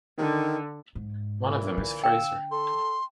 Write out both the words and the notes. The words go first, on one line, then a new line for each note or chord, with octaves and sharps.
One of them is Fraser.
D3 D#3
G#2
A#2 E3
D3
F5 G5 E6
A4 C6